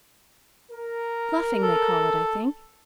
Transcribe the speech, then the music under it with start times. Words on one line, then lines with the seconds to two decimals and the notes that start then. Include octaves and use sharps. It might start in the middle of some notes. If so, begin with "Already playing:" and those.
Fluffing they call it, I think.
0.71 A#4
1.62 A4